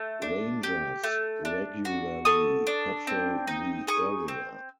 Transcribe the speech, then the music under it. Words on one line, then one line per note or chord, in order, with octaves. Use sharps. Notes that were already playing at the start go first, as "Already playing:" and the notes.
Rangers regularly patrol the area.
Already playing: A3
D4
G4
A3
D4
F#4
A4 C#6 D#6
D4
C4
D#4
G#4 C#6 D#6
C4